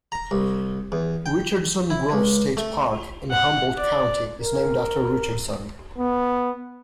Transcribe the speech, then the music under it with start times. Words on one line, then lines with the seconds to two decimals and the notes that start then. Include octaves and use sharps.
Richardson Grove State Park in Humboldt County is named after Richardson.
0.12 A#5
0.31 C2
0.92 E2
1.26 G5
1.90 E4
2.12 C#2
2.57 A3
3.32 F#5
3.77 D5
4.42 A#4
5.98 B3